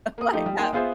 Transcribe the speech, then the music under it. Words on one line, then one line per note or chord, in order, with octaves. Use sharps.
like, have
A#3 D#6
F3 A3 D#4 G4
G3
A#3 D#4 G5 G#5 C6
B3 F4 G#4 C5 E5